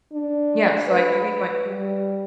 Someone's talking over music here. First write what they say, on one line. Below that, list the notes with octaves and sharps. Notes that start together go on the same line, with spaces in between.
Yeah, so I can make my
D4
B4
G3